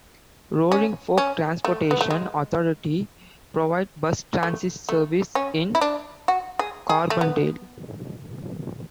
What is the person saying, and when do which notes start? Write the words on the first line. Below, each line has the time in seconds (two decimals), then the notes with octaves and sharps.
Roaring Fork Transportation Authority provides bus transit service in Carbondale.
0.72 C#4
1.18 C#4
1.65 A3
1.91 B3
2.01 A3
2.11 G#3
4.43 A3
4.89 A3
5.35 C#4
5.75 E4
5.81 D4
6.28 F#4
6.59 G#4
6.89 G#4
7.10 A3
7.21 B3